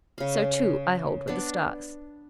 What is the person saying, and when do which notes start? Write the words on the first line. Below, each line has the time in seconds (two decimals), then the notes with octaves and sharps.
So, too, I hold, with the stars.
0.18 C#3 F5
1.28 B3 D4